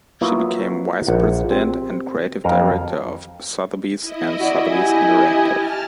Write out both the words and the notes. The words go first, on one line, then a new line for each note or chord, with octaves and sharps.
She became Vice President and Creative Director of Sotheby's and Sotheby's Interactive.
F#3 A#3 B3 E4 F4
A#1 F#5
C4 G4
F2 A#4 F5 A#5
E4 D#5
F#4 D5
G4 G#5
A5 F6 A6